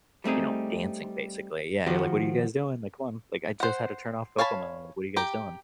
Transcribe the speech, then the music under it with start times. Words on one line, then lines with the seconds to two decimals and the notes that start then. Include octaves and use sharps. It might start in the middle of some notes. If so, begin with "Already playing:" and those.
you know, dancing, basically. Yeah you're like, "What are you guys doing? Like, come on, like, I just had to turn off Cocomelon, like, what are you guys doing?"
0.24 G3 A3 C4 D#4 G#4
1.87 D#3 F3 F#4 G4
3.60 C5 F#5
4.38 C#5 F5 G#5 A5 B5
5.17 G4 A#5